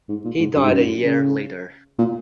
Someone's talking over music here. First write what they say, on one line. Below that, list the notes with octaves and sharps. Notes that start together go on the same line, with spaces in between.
He died a year later.
G#2
A#2
G#2
F#2
G#2
F#2
C#3
A#2